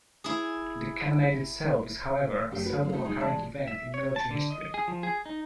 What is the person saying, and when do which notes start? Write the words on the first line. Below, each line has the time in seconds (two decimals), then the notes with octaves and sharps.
The cannonade itself is however a seldom occurring event in military history.
0.24 E4 G#4
2.51 F#2 A3 G4
2.66 F#4 B4
2.81 F#3 C4 F5
2.92 A3 B3 F#4 A4 C5 D#5
3.04 G#3 D#4 G#4
3.20 E3 G#3 D5 A5
3.68 E5
3.94 C#5
4.16 A5
4.31 D3
4.50 D#5
4.74 G#4
4.88 F3
5.03 G#4
5.26 D#4